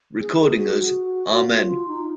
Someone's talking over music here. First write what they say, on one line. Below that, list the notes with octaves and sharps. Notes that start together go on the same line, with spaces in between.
Recording as Amen!
G#4
G#4
F#4
F#4
F4
D#4